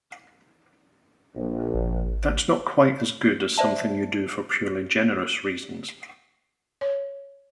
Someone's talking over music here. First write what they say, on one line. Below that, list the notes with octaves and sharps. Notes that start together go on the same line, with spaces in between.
That's not quite as good as something you do for purely generous reasons.
A#1
G#1
C5 D5 E5 A5
C#5